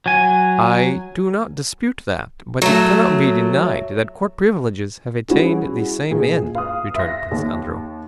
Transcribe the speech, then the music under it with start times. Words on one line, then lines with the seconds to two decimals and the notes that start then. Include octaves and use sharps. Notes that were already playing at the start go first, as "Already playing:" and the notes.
"I do not dispute that, but it cannot be denied that court privileges have attained the same end," returned Prince Andrew.
0.06 F#3 G#5
2.62 F#3 A3
5.29 G3 C#4 E4 F#4 G#4
6.11 A#1 G#4
6.55 F5 D#6
6.95 E5 A#6
7.31 D#2